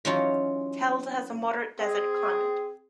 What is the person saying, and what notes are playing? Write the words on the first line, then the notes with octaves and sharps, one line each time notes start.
Telde has a moderate desert climate.
E3 F#3 C#4 D#4 F4 C#5
C4 G#4